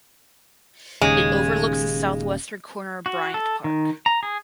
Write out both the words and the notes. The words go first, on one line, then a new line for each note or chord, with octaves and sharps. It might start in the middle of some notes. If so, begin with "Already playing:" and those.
It overlooks the southwestern corner of Bryant Park.
D#1 D#2 C#3 G#3
F#4
A4
D#3
A#5
G#4